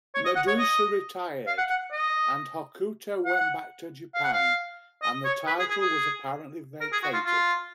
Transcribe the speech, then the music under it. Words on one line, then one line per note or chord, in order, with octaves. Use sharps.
Madusa retired and Hokuto went back to Japan and the title was apparently vacated.
C#5
D#5
F#5
C#5
D#5
F5
F#5
F#5
D#5
F#5
F5
F#5
F5
D#5
C#5
B4
G#4
G#4
G#4
A#4
G#4
F#4
F4
F4